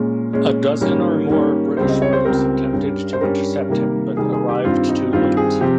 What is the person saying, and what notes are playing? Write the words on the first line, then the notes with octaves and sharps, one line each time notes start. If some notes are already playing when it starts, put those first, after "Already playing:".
A dozen or more British boats attempted to intercept him but arrived too late.
Already playing: A#2 G#3 C#4
A#2 G#3 C#4
G#2 D#3 G3 A#3 C#4 A#4
G#2 D#3 G3 A#3 C#4
C#2 C#3 G3 C4 C5
D#5
C#5
C5
C#2 C#3 G3 C4 A#4
G2 G3 C#4
C5
G2 G3 C#4 A#4
C3 D#3 G3 A#3
C3 D#3 G3 A#3 G#4
G#4
G4
G2 D#3 G3 C4 F4
D#4
G2 D#3 G3 C4 F4
G#4
C3 F3 C4 G4